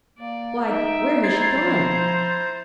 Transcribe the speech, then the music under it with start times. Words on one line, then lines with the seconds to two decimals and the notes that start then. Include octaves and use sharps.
"Why, where has she gone?"
0.19 A#3 D5
0.68 D#4 E5 G5
1.24 E4 C5 A#5 G#6 A6 C7
1.54 F3